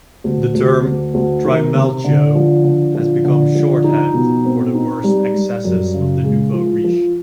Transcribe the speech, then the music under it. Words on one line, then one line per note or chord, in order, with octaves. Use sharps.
The term "Trimalchio" has become shorthand for the worst excesses of the nouveau riche.
D2
D2
D2
D2
D#3
C3
D3
F3
D3
F3
D3
F3
D#4
B2
C4
D#4
G3
G3
F#2
C#3
G#3
F3
F3